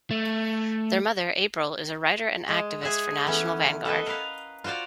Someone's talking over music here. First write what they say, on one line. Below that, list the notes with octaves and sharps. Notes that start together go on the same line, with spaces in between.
Their mother, April, is a writer and activist for National Vanguard.
A3
G#3
G#4 E5 F#5
E3 A3 B3 C#4
A4 B4 D#5 E5
A#4 B4 F5
F4 F#4 C5 D5 F5